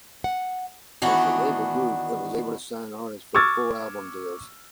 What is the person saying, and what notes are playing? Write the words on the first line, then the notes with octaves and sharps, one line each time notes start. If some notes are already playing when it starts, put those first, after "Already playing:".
As the label grew, it was able to sign artists for full album deals.
F#5
D#3 E3 B3 D4 F#4
C#6 D6 E6 F6 G#6 A6